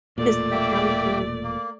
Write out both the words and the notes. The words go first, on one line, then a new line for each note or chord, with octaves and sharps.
'cause, like, now we do
E1 A#2 A3 D5
A#3 E5 G5
A#3